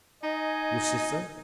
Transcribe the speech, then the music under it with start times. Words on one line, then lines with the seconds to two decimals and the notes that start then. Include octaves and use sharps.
"Your sister?"
0.23 D#4 D#5 G#5